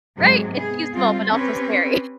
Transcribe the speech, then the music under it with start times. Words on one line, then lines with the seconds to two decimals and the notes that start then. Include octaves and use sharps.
Right, it's useful, but also scary.
0.18 G#2 C3 F#3 G#3
0.54 B3 G#4
0.94 G3 C4 F4
1.30 C4 C#4 G4 B4